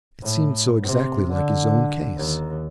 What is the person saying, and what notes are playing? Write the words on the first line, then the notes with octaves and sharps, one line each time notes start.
It seemed so exactly like his own case.
A2
C3
D3
D#2